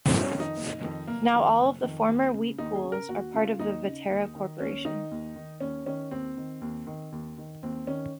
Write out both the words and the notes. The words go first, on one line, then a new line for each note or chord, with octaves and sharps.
Now all the former wheat pools are part of the Viterra corporation.
F#1 C4
C#4
F2 D#3
D#4
F#1
F2 D#3
F#1 A#3
F2 D#3
F#1
F2 D#3
D#2
C#3
D#2 D#4
G#4
C#3
A#4
D#2 F#4
C#3 F4
D#2 D#4
C#3
D#2
D#3
D#2 C#4
D#3 D#4
D#2
D#3
D#2 C#4
D#3 C#4
D#2 C4
D#3
D#2
D#3
D#2
D#3
D#2 C4
D#3 C#4